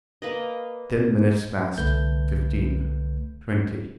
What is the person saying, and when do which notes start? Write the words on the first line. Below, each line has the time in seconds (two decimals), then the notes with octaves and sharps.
Ten minutes passed, fifteen, twenty.
0.22 A#3 B4 D#5
1.78 C2 D3 A3 B4 G6